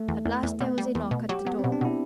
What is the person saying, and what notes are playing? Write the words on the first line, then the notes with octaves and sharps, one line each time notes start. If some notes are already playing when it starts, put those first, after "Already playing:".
At last there was a knock at the door.
Already playing: A3
E2
E2
E2
B2 B3
G3
E2
B2
F#3 G4
F#3 B3
B2 C4
D4
B2 E4